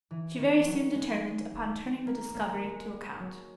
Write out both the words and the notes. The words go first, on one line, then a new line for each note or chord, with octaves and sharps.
She very soon determined upon turning the discovery to account.
E3
D#3
F#3
G#3
A#3
A#3
G#3
G#3
F#3